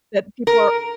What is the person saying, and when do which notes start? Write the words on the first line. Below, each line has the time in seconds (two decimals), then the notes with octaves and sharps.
That people are
0.47 A#4